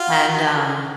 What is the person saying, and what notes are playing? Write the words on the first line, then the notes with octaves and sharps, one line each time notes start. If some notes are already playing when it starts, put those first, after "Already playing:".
And, um
Already playing: F4 F#4